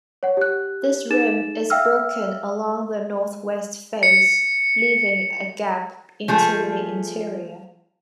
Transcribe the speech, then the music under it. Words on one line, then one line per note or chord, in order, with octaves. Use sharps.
This rim is broken along the northwest face, leaving a gap into the interior.
C#5 F#5
G4 F#6
D#4 G#4 A6 E7
E5 F5 G5 E6 F6
C#7
F3 A3 G#4